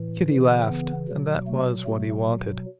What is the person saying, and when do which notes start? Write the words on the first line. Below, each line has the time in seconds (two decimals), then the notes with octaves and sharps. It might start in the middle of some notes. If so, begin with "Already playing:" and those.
Kitty laughed; and that was what he wanted.
Already playing: A2 E3
0.29 C#3 E3
0.69 B3
1.08 B2 F#3
1.47 A3
1.86 B2 F#3 A3